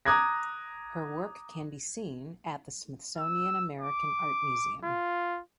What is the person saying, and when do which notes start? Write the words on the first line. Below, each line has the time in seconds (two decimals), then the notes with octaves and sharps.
Her work can be seen at the Smithsonian American Art Museum.
0.05 A#5 D6 D#6 F#6 G#6 A#6
3.18 E6
3.82 D6
4.84 F4